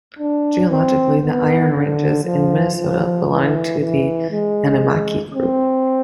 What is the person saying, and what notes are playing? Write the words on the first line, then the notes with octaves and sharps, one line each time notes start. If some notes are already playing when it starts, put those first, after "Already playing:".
Geologically, the iron ranges in Minnesota belong to the Animikie Group.
D4
C4
B3
D3
F3
F3
E3
E3
G#3
C4